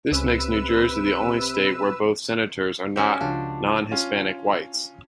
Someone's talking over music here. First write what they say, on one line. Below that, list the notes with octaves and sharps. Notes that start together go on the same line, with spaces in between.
This makes New Jersey the only state where both senators are not non-Hispanic whites.
C#2 C3 C#4 B4 E6
C#4 F#4 G4
C#2 F3 D4 F5
C#4 F4